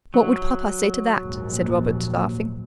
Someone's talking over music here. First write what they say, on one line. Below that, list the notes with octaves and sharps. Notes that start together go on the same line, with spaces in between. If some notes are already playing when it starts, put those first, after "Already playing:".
"What would papa say to that?" said Robert, laughing.
F#3
A#1 D#2 G#2